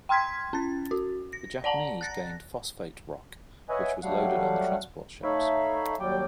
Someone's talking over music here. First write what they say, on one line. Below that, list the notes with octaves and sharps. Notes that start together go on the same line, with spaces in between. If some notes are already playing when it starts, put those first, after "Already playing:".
The Japanese gained phosphate rock which was loaded on the transport ships.
G5 C6 F6 G#6 B6
C#4 A6
F#4
A#6
D5 F#5 A5 A#5
F#6 A6 A#6
B4 C#5 D#5 E5 F#5 G#5
F#3 G3 A3 F5 F#5
A3 D#4 C#5 E5 F5 B5
D#2 F#3 G3 D5 G5